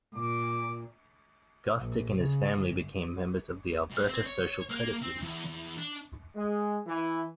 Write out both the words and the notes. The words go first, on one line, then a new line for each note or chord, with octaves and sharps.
Gostick and his family became members of the Alberta Social Credit League.
A#2 D6
A#1
C#3
G1
B1
C4
C#5
A#3
C4
E2
E2
D4
G#3
E3